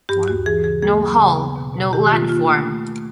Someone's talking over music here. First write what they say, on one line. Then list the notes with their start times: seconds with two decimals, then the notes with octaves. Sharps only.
No hole, no landform.
0.09 G2 G4
0.27 D#2 F#4
0.46 E3 G#4
0.64 C#3 G#4
0.82 A#3 G#4
1.01 F#3
1.20 C#3
1.38 B3
1.56 B2
1.75 B2
1.93 D#3 G4
2.11 A#3 F4
2.29 A#3 F4
2.47 A3
2.66 A3
2.85 A3